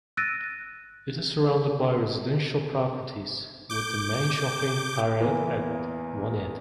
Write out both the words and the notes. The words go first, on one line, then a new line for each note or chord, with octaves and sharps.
It is surrounded by residential properties, with the main shopping parade at one end.
E6 F#6 A6 A#6 D7 D#7
D6 G6
E2 E3 A#3